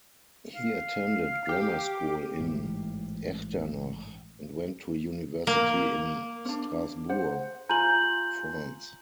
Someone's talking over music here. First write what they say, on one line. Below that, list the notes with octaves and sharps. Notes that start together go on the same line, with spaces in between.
He attended grammar school in Echternach and went to university in Strasbourg, France.
F5
G4
A1 G#2 E3
A#3
C#4 D4
C5 F#5
F4 G#5 A#5 G6 F#7